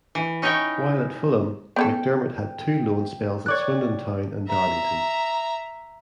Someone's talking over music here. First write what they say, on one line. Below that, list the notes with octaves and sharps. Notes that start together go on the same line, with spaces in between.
While at Fulham, McDermott had two loan spells at Swindon Town and Darlington.
E3
C#4 D#4 E4 C#5 G5
B3 C#4 A4 G5
C#5 D5 F#6
E5 A#5